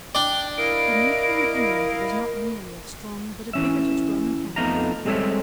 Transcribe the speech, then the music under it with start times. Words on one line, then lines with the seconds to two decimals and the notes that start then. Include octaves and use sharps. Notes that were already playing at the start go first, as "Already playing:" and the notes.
The new King of England was not merely a strong but a bigoted Roman Catholic.
0.15 D4 D5 G5 G7
0.58 E4 A#4 D#5 F5 D7
3.53 E3 C#4 E5
4.56 F2 A3 B3 D#4 F5 A#5
5.05 G3 G#3 C4 A4 C#5 E5